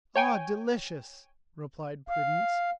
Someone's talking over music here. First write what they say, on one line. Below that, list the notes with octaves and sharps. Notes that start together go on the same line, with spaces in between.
"Ah, delicious!" replied Prudence.
C#5 G5 G#5
F5